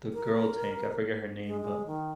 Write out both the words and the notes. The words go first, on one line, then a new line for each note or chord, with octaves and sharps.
the girl tank, I forget her name, but,
A#4
G#3
G#3
D#3